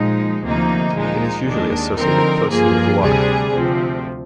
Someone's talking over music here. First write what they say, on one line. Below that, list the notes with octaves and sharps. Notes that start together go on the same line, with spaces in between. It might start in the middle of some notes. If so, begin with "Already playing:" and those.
It is usually associated closely with water.
Already playing: A#2 F3 G#3 D#4
D2 C3 F3 A#3 D#4
A#2 F3 G#3 D#4
D#2 D#3 G#3 D4
D3 F3 C4 D#4 A#4
G2 F3 A#3 F4 G#4
D2 C3 G3 D4 G#4
D2 C3 F3 C4